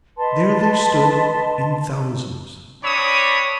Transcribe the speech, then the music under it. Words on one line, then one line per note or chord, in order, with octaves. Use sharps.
There they stood in thousands.
B4 D#5 A5 C6
C4 D4 C#5 B5 D6 D#6